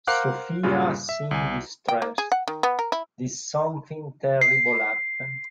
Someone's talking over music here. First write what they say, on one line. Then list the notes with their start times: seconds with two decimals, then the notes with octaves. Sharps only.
Sophia seemed distressed, did something terrible happen?
0.07 A#4 C5 F5 F#5 D6 F#6
0.63 G2 A#2 C#3 G3 F4
1.09 E5
1.31 C2 G#5
1.88 G5
2.02 A#3
2.18 G#4
2.32 F#5
2.48 D#3
2.63 B3
2.79 A#4
2.92 E4
4.41 C7